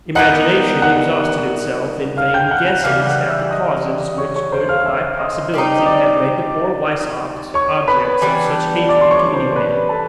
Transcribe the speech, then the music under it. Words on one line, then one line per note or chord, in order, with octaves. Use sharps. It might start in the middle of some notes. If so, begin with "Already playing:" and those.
Imagination exhausted itself in vain guesses at the causes which could by possibility have made the poor Weishaupts objects of such hatred to any man.
A#2 G3 B3 D#4 F#5 F#6
F#5 F#6
F5 F6
G5 G6
F6
F#5 F#6
F#5 F#6
C#3 E3 G3 F5 F6
F#5 F#6
E5 E6
D#5 D#6
C#5 C#6
C#5 C#6
C5 C6
F5 F6
E5 E6
D#5 D#6
G3 C4 D#4
D5 D6
C#5 C#6
B4 B5
E3 G3 B3 D4
D5 D6
C6
C#5 C#6
C5 C6
B4 B5
A4 A5